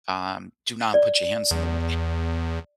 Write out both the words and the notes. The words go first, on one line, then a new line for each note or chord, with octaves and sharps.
Um, do not put your hands in the wa
D5
E2